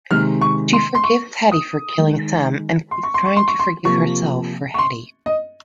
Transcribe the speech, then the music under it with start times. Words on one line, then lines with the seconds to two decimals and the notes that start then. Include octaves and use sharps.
She forgives Hedy for killing Sam, and keeps trying to forgive herself for Hedy.
0.11 C3 D#3 G#3 F6
0.41 C#6
0.73 C6
0.95 C6
1.04 C#6
1.51 D#6
1.98 D#3 G#3
2.91 C6
3.03 C#6
3.14 C6
3.26 C#6
3.37 C6
3.48 C#6
3.59 C6
3.85 C3 F3 A#3 C#6
4.74 C#6
4.78 C6
5.26 D#5